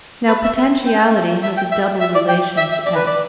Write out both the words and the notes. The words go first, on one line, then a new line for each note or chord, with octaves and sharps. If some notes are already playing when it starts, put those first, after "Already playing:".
Now, potentiality has a double relation to act.
B4
E5
E5
G5
E5
G5
E5
E5
D5
G5
E5
E5
D5
B4
D5